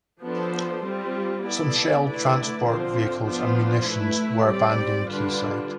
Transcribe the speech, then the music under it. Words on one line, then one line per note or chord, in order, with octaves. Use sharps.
Some shelled transport vehicles and munitions where abandoned quayside.
F3 B3 D4 A4 C5
G3 C4 F4
B3 E4 A4 D5
D3 A3 E4 B4 D5
D3 F3 C4 F4 C5
F3 B3 D4 F4 C5
A3 E4 B4
G3 C4 G4 D5
D3 G3 D4 F4 B4